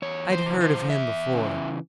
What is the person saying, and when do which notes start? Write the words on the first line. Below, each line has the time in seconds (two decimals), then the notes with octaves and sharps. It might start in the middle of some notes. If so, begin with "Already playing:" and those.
I had heard of him before.
0.02 E2 C#5
0.32 C5
0.46 C#3 E3
0.61 C5
0.90 E2 E5
1.34 C#3 E3